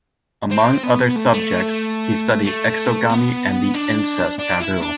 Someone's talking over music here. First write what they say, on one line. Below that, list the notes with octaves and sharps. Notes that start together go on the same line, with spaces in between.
Among other subjects, he studied exogamy and the incest taboo.
C4
B3
A3
A3
A3
B3
D4
D4
E4
D4